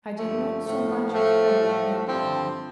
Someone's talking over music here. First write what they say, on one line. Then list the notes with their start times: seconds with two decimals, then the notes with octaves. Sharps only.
I did not so much as comprehend them.
0.18 G2 D3 F3 A3
0.65 A2 F3 A3
1.12 A2 F3 A3
1.60 A2 F3
2.06 G2 D3 F3 C4